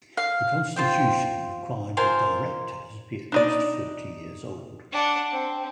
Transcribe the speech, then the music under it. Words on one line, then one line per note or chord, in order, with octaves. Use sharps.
The Constitution required that Directors be at least forty years old.
F5
F4 C5 G5
F4 A#4 C5 G#5
D4 D#4 D5
D4 F#5
C4